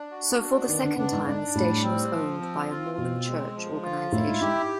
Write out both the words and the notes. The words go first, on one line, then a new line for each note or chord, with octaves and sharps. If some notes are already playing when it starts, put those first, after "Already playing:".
So for the second time, the station was owned by a Mormon Church organization.
Already playing: D4
F#4
D4
D#3 B3
D3
C#3 D4
G#2
G#2 D4
A2 G3
C4
F3
C4
F4
B2 C4
G#3
F3
F4
A2 E4
G#2
G#2 G4